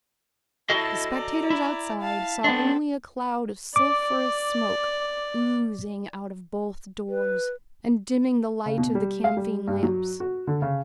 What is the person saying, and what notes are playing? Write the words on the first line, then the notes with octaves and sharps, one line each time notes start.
The spectators outside saw only a cloud of sulphurous smoke oozing out of both doors, and dimming the light of the camphine lamps.
E4 F#4 A4 D#5 A5
D5 A#5
E4
F5 A5
B3 C4 D4 A4
D5 D6
B4
C#3
B2
G3
F5
G3
G2
F#3
F#4
D3
C#3